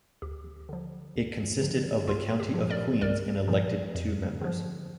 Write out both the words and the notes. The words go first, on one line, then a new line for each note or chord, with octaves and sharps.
It consisted of the County of Queen's and elected two members.
D2 G4
D3 F3
D2
D3 F3
C2 F4
G4
A#2 F3
A#4 D5
C2 A#4 D5
A#2 F3
F2
D3 F3